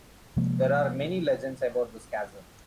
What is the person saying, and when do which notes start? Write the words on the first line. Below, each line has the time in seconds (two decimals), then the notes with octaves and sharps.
There are many legends about this castle.
0.37 C3 F3 G#3 A#3